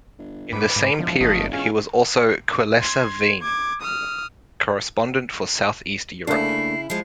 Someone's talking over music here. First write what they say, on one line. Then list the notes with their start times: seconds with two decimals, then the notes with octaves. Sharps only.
In the same period he was also Querleser Wien Correspondent for South East Europe.
0.18 G1
0.53 G#2 B4 D6
0.76 G#2
0.99 E1 F3
1.21 G1 F3 A3 D#5
1.53 C#4 F4 G#4
2.80 C6 G#6
3.41 D6 G#6
3.81 D#6 F6
6.27 C#3 A3 A#3 D4 E4 C7
6.90 F3 G#3 C7